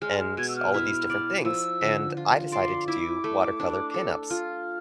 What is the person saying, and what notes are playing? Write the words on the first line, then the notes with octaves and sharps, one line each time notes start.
and all of these different things, and I decided to do watercolor pin-ups.
G#3 F6
F6
B2 G#6
E6
F6
E4
D5
F3 E6
D3
F4
D5 C6
E4 D6
A3
D4
A4
F4 F6